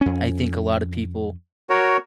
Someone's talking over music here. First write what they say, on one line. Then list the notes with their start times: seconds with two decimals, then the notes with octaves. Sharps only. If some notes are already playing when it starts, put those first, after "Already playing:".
I think a lot of people
0.01 F2 C#4
1.70 F#4 A#4 C#5